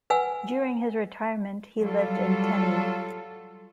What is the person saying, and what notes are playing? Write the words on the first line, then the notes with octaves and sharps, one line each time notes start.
During his retirement he lived in Tennie.
B4 F#5 G#5 E6
F#3 G3 F4 A4